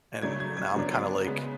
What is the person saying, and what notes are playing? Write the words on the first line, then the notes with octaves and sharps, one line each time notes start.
and now I'm kinda like,
C#3 F#3 A3 D4 G#6
G#6
G#6
F#2 D3 F#3 B3 D4
C#3 G#3 B3